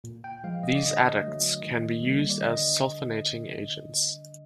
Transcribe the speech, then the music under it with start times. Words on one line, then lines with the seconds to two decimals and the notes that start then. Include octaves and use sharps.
These adducts can be used as sulfonating agents.
0.04 A#2
0.24 G5
0.44 F3 G#3 F5
0.63 D#5
0.75 D5
0.83 D3 D#5
1.23 F#3 A3
1.62 D#3
2.02 G3 A#3
2.30 D5
2.41 D3 D#5